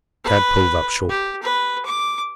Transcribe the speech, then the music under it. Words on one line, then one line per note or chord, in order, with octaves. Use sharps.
Tad pulled up shortly.
B4
G4
B4
D6